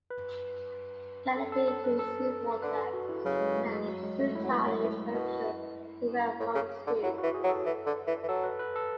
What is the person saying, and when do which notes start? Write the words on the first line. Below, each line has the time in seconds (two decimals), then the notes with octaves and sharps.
Galloping through sea water may have proved highly beneficial to Red Rum's hooves.
0.10 B4
1.37 A4
1.52 A4
1.68 A4
1.84 B4
1.99 A4
2.62 D3 B4
2.78 A4
2.93 F#4
3.09 E4
3.25 C#3 F#3
3.41 G#3
3.57 A3
3.72 G#3
3.88 F#3
4.03 G#3
4.20 A3
4.35 E4
4.44 F#3
4.51 E3 E4
4.67 F#3
4.83 E3
5.13 B2
6.40 A2
6.55 C#3
6.87 D3
7.03 F#3 E4
7.18 F#4
7.23 E3
7.34 G#4
7.44 F#3
7.49 A4
7.65 E3
7.86 D3
8.07 E3
8.23 E3
8.28 F#3 A4
8.44 B4
8.59 B4
8.76 A4